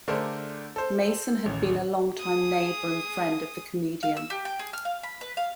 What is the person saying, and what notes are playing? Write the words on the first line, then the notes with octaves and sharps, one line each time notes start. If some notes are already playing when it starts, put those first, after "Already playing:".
Mason had been a long-time neighbour and friend of the comedian.
D3 A3 D4 G#4 A#4 C5
A4 C5
A1 D#2
G#4 D#6
F5
E6
G4
G5
G#4
F6
F5
B5
B4
F5